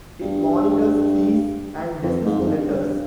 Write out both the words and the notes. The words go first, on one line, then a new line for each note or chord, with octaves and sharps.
It monitors cease and desist letters.
G2
F2
G#2
F2
G2
G2